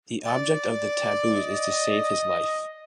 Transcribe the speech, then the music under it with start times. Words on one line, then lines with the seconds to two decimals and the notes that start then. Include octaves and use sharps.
The object of the taboos is to save his life.
0.24 D5
1.35 D#5